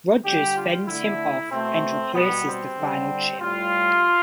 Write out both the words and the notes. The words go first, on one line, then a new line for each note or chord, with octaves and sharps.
Rogers fends him off and replaces the final chip.
D3 G3 G4
F4
D3 A3 E4
B2 A3 C4
B2 G3 B3
C4
D3 G3
A2 G3 F4